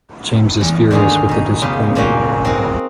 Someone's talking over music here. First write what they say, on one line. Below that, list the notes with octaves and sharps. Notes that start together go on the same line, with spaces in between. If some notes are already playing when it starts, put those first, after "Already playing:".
James is furious with the disappointment.
E2 F#5
G#2 D3 D#3 F#4 G#4 F5
B2 D#4
C#3 B3 F4 G4
A#2 F#3 A#3 C#4 F#4 G5
C4 D#4 F#4 A#4